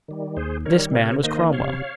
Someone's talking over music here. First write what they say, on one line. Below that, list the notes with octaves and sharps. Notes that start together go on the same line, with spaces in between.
This man was Cromwell.
D#3 G3
D#2 G#4 C5
D#3 G3 A#4 C#5
C3 A#4 C#5
D#3 A#3 C5 D#5
C3 C#5 F5